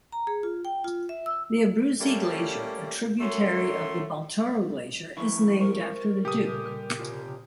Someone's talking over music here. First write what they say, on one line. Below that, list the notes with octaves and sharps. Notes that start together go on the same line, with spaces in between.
The Abruzzi Glacier, a tributary of the Baltoro Glacier, is named after the Duke.
A#5
G#4
F4
G5
F4
E5
E6
G3 A3 A#3 C#4
F#2 F#3 A3 C#4 C6
F2 D#3 E4 C#6
A#4 C5 C#6
A#2 C#3 G3 G4 A4 D#6
C3 F4